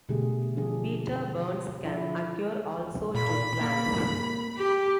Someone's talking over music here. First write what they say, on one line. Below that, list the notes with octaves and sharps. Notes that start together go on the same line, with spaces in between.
Beta burns can occur also to plants.
B2 D3 G3 A3 G4 G#4
D3 F3 D4 G#4
F3 D4 E4 G#4
A#2 B5
A#3
G4